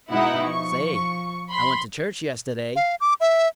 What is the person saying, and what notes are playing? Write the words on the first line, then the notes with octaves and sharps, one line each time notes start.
"Say, I went to church yesterday."
B2 G#3 D#4 E4 F#5
F3 C#6
B5 C6
F5
D6
E5